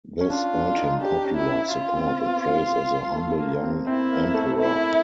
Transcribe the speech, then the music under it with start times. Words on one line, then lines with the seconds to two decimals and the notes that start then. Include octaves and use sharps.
This earned him popular support and praise as a humble young emperor.
0.21 C#4
0.29 D4 F4
0.54 D4
0.77 D#4
1.01 D4 G4
1.24 C#4
1.36 E4
1.48 C#4
1.72 C#4 F4
1.96 C4
2.20 B3
3.15 A3
3.40 A#3
3.63 C4
3.87 C4 E4
4.11 A#3
4.34 A3
4.59 E4